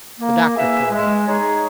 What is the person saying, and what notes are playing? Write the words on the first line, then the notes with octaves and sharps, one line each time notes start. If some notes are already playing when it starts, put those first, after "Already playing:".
The doctor pulled up.
A#3
E4 G#4 B4 E5
G#3
D#4 G#4 C#5